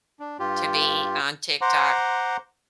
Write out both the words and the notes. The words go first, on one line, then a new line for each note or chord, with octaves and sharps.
to be on TikTok.
D4
G2 F4 G4
C5 F#5 A#5 C6 D6